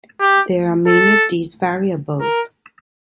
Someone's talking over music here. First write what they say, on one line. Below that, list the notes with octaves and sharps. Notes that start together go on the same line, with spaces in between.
There are many of these variables.
G4
A4
A#4